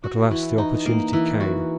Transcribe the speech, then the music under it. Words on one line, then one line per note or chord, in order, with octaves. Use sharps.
At last the opportunity came.
F#4
E3
D#4
A#3
E3
F#4